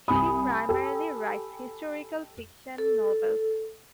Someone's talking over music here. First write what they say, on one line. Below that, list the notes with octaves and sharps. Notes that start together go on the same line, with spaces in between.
She primarily writes historical fiction novels.
C2 G#5 B5 D#6
G4 A4
A4